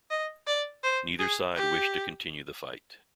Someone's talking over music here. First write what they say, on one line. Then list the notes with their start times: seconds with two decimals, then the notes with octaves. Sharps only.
Neither side wished to continue the fight.
0.10 D#5
0.47 D5
0.83 C5
1.19 G#4
1.56 G4